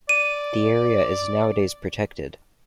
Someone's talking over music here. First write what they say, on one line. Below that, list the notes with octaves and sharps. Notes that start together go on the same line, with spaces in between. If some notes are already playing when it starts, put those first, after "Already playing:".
The area is nowadays protected.
D5 D#7